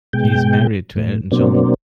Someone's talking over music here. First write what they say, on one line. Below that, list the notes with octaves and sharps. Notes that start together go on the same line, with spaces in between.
He is married to Elton John.
B2 G#3 G5
A2
B2 F#3 A#3 C4 D4